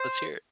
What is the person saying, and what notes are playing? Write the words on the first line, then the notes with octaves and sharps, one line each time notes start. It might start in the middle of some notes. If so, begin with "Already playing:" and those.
Let's hear it.
Already playing: C5